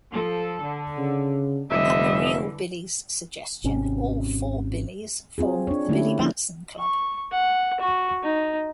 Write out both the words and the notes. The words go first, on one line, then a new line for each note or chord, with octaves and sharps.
At the "real" Billy's suggestion, all four Billys form the Billy Batson Club.
F3 A4
D3
C#3
F1 D3 E3 G3 D#5 E5
G#1 C3 C#4
C4 F4 G#4
D4 C#5
D3 A3 A#3 C#4 E4 G4
F3 A#3 B3 C#4 D4 E4
C#6
F#5
F#4
D#4